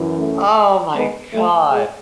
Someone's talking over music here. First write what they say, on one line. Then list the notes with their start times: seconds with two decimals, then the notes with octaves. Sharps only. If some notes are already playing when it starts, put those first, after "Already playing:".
Oh, my god,
Already playing: F#2 E3
0.18 A3 C#4
0.95 G#3 B3
1.33 A3
1.72 G#3